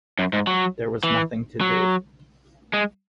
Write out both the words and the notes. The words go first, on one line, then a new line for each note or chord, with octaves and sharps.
There was nothing to do.
F#2
G#2
F#3
E3
F#3
G#3